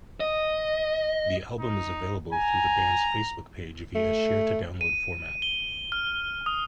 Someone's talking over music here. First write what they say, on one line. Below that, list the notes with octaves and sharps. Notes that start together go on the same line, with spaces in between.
The album is available through the band's Facebook page via a share-to-download format.
D#5
D#4
G#5 A#5
A3
D#7
G7
F6
D#6